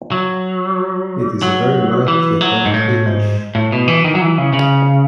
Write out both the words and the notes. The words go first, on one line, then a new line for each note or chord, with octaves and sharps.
It is a very light yet healthy dish.
F#3
F#3
E3
F#3
G#2
A2
G#2
A2
B2
E3
D#3
F#3
E3
C#3
C#3